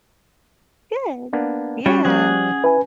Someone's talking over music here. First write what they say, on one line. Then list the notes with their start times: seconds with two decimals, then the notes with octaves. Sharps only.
Good. Yeah,
1.33 A#3 B3 D4
1.86 G3 C#4 F#4 C#5
2.05 F3 G3 G#4 F#5
2.64 E4 B4 G#5